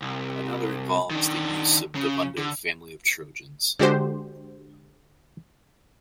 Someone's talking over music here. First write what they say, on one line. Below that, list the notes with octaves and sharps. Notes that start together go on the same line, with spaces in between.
Another involves the use of the Vundo family of trojans.
C2
D#3 D4
C#3
D3
D3 G#3 F#4 G4 C5